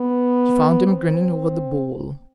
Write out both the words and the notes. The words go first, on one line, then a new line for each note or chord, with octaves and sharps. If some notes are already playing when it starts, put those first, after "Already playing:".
She found him grinning over the bowl.
Already playing: B3
C4